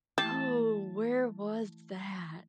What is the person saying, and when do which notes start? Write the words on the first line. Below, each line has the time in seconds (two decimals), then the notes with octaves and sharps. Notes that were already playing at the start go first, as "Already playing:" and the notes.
Oh, where was that?
0.18 E3 A3 E4 G4 A5